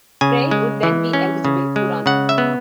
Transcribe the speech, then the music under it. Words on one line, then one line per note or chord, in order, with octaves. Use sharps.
Frei would then be eligible to run.
C#3 G#5
G#3
E3
C#4
C#3
G#3
C#3 F#5
E5
B3